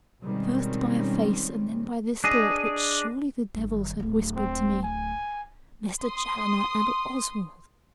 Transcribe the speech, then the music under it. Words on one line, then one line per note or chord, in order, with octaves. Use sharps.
First by a face and then by this thought which surely the devils have whispered to me. Mr. Challoner and Oswald!
B2 D#3 G3 G#3 C4 C#4
D4 G#4 D#5
G1 D#3
D1 A3
C4
G#5
C6 D#6